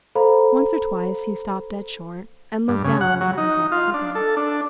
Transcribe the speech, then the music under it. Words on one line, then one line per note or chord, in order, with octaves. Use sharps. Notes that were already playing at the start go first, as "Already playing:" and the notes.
Once or twice he stopped dead short and looked down at his left slipper.
A4 C5 F5 A#5 B5
G2
C#3
F#5
F#3
D#4
F4
D4
A4
D4